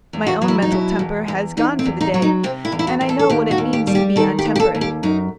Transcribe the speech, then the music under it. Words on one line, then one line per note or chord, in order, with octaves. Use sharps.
My own mental temper has gone for the day, and I know what it means to be untempered.
E2
F#4
F#3
E4
D#4
B2 E4
E2
E2
E2 D#4
C4
E2
D#4
F#3
D#4
C3 C4
E4
E2
E4
F#4
E2
A4
A4
D#2 G4
F#4
D#2
G4
G3
G4
D#3 A4
G4
D#2
G4
A4
D#2
G4
F#2 D#4